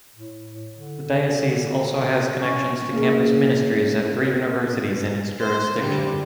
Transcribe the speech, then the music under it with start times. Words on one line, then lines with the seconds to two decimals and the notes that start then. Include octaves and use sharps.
The diocese also has connections to campus ministries at three universities in its jurisdiction.
0.15 A2
0.74 D3
2.39 C#4
2.92 C#3 A#3 G#4
5.40 C5
5.79 D3 G3